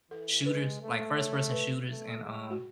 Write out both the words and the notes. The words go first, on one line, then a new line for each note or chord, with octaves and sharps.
shooters like, first-person shooters and, um
E3 A4
G#3 B4
A3
C#5
B4
A3
G#3
F#4